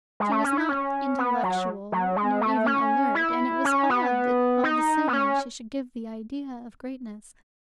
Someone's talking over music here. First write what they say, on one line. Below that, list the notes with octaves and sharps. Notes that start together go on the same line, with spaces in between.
She was not intellectual, nor even alert, and it was odd that, all the same, she should give the idea of greatness.
G#3
A3
C#4
E4
C#4
B3
F#3
F#3
G#3
A3
C#4
E4
C#4
B3
D#4
B3
C#4